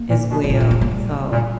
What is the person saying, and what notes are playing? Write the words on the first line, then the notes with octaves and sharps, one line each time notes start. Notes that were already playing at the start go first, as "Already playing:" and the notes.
as well, so
Already playing: A#3
A#2
B2
A#3
A#2 B3
A#3
B3
A#3
G3
A#2